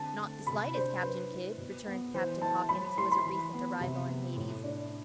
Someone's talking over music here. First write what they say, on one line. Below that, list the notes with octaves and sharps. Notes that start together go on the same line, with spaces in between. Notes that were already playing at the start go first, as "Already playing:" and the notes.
"Not the slightest, Captain Kidd," returned Captain Hawkins, who was a recent arrival in Hades.
Already playing: D3 C4 A5
A3
C3 B5
D4 C5
F#3 B4
E4
B2
B3
E3 C5
E4 A5
F#3 B5
E4 C6
B5
E3
B3
C3
B3
A2
D4